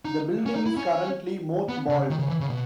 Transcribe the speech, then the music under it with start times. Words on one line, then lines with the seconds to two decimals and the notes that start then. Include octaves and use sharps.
The building is currently mothballed.
0.05 D#4
0.46 C#4
0.56 D#4
0.66 E4
0.77 C#4
1.69 B3
1.89 C#3
2.10 D#3
2.19 C#3
2.29 E3
2.40 C#3
2.50 B2